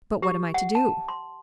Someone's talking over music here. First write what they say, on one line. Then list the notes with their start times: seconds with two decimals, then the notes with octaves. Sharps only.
"But what am I to do?"
0.22 G4
0.54 F#5
0.75 A5
1.08 C6